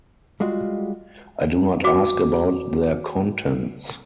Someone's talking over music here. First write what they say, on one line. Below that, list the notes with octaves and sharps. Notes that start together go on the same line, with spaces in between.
I do not ask about their contents.
G3 G#3 F4 F#4
F#4 D6